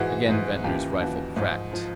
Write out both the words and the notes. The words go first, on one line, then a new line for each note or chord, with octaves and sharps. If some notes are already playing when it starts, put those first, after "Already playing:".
Again Ventnor's rifle cracked.
Already playing: G#2 E3 F#4 G#4
G#2 E3
D#2 C#3 E3 F4 G4
D#2 C#3 E3 F#4
G#2 F3
F3 F4